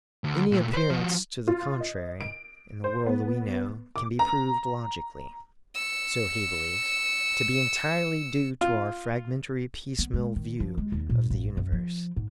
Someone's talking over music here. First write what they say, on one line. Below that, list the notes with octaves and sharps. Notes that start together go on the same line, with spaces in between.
Any appearance to the contrary, in the world we know, can be proved logically--so he believes--to be entirely due to our fragmentary piecemeal view of the universe.
D2
A#2 A3
B4 C5
F3 F#4
F4
D#5
D7
C5
B3
D6
A#5
E6 C#7
F4
B3
G#3
D#3
F3
G#3
D#2
A#2
A1
F#2
F3
G#2